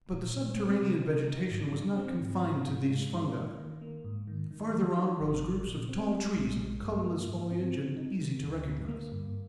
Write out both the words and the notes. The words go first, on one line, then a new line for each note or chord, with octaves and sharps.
But the subterranean vegetation was not confined to these fungi. Farther on rose groups of tall trees of colourless foliage and easy to recognise.
A#2
A#2
C4
C3
D#4
D#4
G#2
D4
C4
G#2
F4
G#2
G#3
D#4
A#3
D#3
A#3
G#2
D#3
D#3
F3
D#4
G#1
F3
A#2
C4
G3
A#1
G#3
G2
A#3
G#2
C4
C4
D#4
D#3
D2
D3
A#3
G2